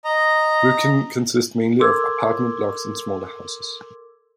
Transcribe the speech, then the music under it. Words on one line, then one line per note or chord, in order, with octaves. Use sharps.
Rykkinn consists mainly of apartment blocks and smaller houses.
D#5 A#5
A4 A#4 C6 D6 E6 G#6